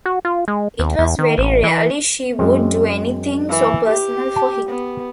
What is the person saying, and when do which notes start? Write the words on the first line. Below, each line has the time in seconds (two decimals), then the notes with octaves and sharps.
It was very rarely she would do anything so personal for him.
0.06 F#4
0.25 F4
0.48 G#3
0.79 D#2
0.99 E2
1.19 D#3
1.38 A1
1.63 E3
2.39 F#2 G#3 C4
3.50 E3
3.89 G4
4.36 A5
4.70 B3